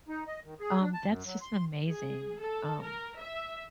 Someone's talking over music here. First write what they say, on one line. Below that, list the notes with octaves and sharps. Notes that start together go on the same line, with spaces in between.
um, that's just an amazing, um,
D#4
D#5
D#3
G#4
D4
A5
F#2
F#3
C6
G#4
A4
A#4
E5